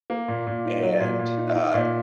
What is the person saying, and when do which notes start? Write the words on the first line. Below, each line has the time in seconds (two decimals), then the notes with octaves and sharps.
and, uh,
0.10 A#3
0.28 A#2
0.47 A#2
0.65 D#4
0.82 F#3
1.00 A#2
1.19 A#2
1.37 D#4
1.55 D#4
1.74 A#2